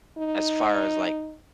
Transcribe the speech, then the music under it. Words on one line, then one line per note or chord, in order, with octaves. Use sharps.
as far as, like,
D#4